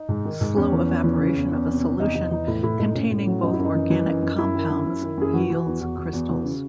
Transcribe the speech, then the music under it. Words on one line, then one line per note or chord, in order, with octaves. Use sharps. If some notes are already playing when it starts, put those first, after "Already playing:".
Slow evaporation of a solution containing both organic compounds yields crystals.
Already playing: D#4
G#2
D#3
G#2
E2 C#4
E3
E2
E3
C#3
E2
E2 C#4
C3
C3
E2 D#4
E2 D#4
E3 D#4
A2 E4
A2 E4
A2 D#4
A2 C#4
A2 C#4
F#3
F#2 D#4
E4
F#2
D#4
E3
E3
F#2
F#2
F#2 E4
D#3
F#2
F#2
D#3
F#2 G#4
E3 F#4
E3
E2
E2 F#4
E2
E2
E3
C#3